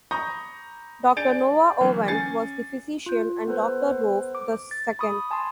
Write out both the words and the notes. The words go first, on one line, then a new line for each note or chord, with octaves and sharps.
Doctor Noah Owen was the physician and Doctor Rowe the second.
A#5 B5 C#6 D#6 G6 A#6
D4 G#4 G6 A6 D7
D3 E3 F#3 A3 A#3
C#4 G#5 A6 C7 C#7
F4 G6
B3 A4 B4 C5
D6
A6
B5 C#6 D#6
G#5 A5 B5 C6